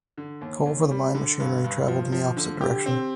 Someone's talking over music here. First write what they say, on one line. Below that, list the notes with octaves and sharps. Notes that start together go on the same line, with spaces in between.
Coal for the mine machinery travelled in the opposite direction.
D3
D#2
D#2
G3
D3
G2
G2
F3
F3
D3
G4
C4